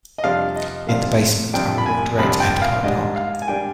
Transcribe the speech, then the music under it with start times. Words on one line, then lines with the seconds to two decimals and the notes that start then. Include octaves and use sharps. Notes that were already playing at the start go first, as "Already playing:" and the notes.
In the basement are a launderette and car park.
0.18 D#5
0.24 F2 C3 G3 D4 F5
0.56 D#5
0.89 F2 C3 G3 D4 F5
1.53 F2 C3 G3 D4 G5
1.78 B5
1.86 G#5
2.18 F2 C3 G3 D4 B5
2.40 G5
2.62 F5
2.83 G#2 G3 D4 D#5
3.16 F5
3.42 G#5
3.48 G3 D4 G5